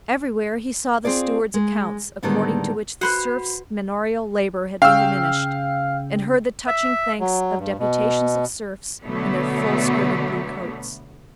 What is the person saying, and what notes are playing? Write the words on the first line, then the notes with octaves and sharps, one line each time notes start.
Everywhere he saw the stewards' accounts, according to which the serfs' manorial labor had been diminished, and heard the touching thanks of deputations of serfs in their full-skirted blue coats.
C4 F4 G#4 D5
G#3
A2 D3 D#3 G3 G#3 B3
F#4 B4 C5 F#5 B5
C#3 F5 G5 E6
E5
F#3
G2
B2
B2 D3 F#3 A3 B3